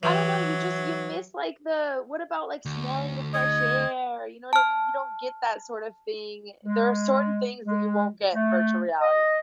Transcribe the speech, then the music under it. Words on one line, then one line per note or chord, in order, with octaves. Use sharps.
I don't know, you just you miss, like, the what about, like, smelling the fresh air? You know what I mean? You don't get that sort of thing. There are certain things that you won't get in virtual reality.
E3 F#3
D2
D#5 G#6
A5 F6
G#3
G#3
A3
D#5